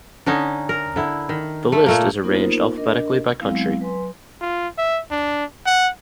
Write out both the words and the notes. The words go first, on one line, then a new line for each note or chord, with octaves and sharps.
The list is arranged alphabetically by country.
D3 C#4 D#4
A#4
D3 E4
D#3
A3
A#2 A3 A#3
A#3 B3 D#4 F4 A#4 C5
D4 A#4 D#5
F#3 G#3 B3 C4 E4 F5
F#3 B4 G#5 C6
F4
E5
D4
F#5